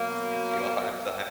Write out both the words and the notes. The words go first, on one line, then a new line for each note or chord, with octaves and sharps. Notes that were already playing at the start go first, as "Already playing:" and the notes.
just give you a hard time.
Already playing: B2 F#3 A#3